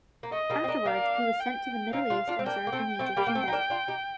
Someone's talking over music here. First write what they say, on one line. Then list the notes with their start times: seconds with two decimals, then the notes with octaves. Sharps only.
Afterwards he was sent to the Middle East and served in the Egyptian desert.
0.23 A#3
0.32 A3 D#5
0.50 G3 A#3
0.64 C4
0.68 A#3 D4
0.85 A#3 D4 F5
1.40 G5
1.93 C4 D#4 F5
2.10 D4 F4
2.28 D4 F4
2.39 C4
2.46 A#3 D4 G5
2.67 A#3
2.72 A3 C4
2.99 A3 C4
3.16 G3 A#3
3.27 A#3
3.35 A3 C4
3.48 D#4
3.53 A#3 D4
3.70 D4 F4
3.88 D#4 G4